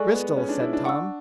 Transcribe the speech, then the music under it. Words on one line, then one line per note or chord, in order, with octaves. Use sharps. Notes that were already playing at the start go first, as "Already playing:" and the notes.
"Bristol," said Tom.
Already playing: G#3 A4 D5 G#5 C#6 F#6
B3
C#4
D4
E4
D4
F#5 C#6 E6